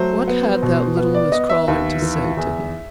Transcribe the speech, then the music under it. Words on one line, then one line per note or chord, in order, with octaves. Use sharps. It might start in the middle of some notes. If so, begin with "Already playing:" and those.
What had that little Mrs. Crawley to say to him?
Already playing: F#3 A3 C5
B3
B2
B3
D5
B3 D#5
E5
D#2
E3
E2